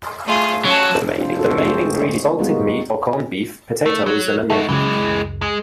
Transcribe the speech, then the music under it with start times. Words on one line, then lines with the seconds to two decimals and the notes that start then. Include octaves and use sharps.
The main ingredients are salted meat or corned beef, potatoes, and onion.
0.25 A3 F4 G#4
0.65 F#3 C#4 F#4 A5
1.18 C4 D4 F4 C5
1.38 F#4 A4 C5
1.61 G#3 A3 C4 D4 G#4 C5
2.39 G3 G#3 B3 D#4 F4 F#4
3.86 A3
4.06 F#3
4.50 G#2 A3 D#4 F#4
4.69 C#2 F#2 E3 G#3
5.42 G#3